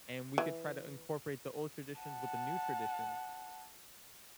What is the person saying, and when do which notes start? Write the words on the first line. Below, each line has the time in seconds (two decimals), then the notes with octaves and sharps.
and we could try to incorporate the old traditions with the new tradition,
0.38 E3
1.98 F#5 A5